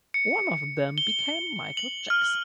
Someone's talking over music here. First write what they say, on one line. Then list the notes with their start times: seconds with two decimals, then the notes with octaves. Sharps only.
One of them became Michael Jackson.
0.14 C#7
0.98 G7
1.77 F#7
2.10 F6